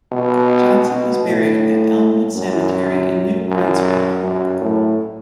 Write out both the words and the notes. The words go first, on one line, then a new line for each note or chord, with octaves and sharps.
Johnson was buried at Elmwood Cemetery in New Brunswick.
B2
B2
A2
F#2
F#2
F#2
A2